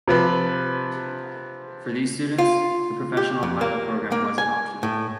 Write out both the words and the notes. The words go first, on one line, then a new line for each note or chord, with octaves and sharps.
For these students, the Professional Pilot program was an option.
C3 F3 B4
F4
G4
F2
A#3
A#3
G#5
A2